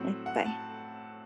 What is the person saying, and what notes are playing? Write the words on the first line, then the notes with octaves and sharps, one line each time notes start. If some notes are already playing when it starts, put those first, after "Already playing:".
Mm, bye.
Already playing: A2 F#3 C4 F#5
F#5
A5